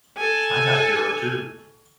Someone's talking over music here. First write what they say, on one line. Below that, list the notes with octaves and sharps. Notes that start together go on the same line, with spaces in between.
I have a hero too.
A4 G#5